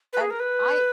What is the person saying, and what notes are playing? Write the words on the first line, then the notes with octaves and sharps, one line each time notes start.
And I
B4
G#4
A#4
B4